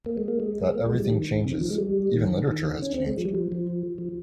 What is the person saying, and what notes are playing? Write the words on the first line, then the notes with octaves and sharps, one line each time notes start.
That everything changes, even literature has changed.
A#3
G#3
A#3
G#3
A#3
G#3
F3
G3
D#3
C3
D#3
F3
G#3
G3
D#3
D#3
C#4
C4
G#3
F3
G3
F3
F3
F3